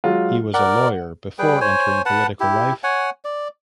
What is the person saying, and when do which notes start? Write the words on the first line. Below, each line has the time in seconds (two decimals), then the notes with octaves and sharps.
He was a lawyer before entering political life.
0.04 F#3 G#3 F4
0.54 A#4 D5 F#5
1.39 G3 G#4 B4 G5
1.61 C5 C#5 G#5
2.06 B4 F#5 A5
2.40 E4 G4
2.84 C#5 F#5 G#5
3.25 D5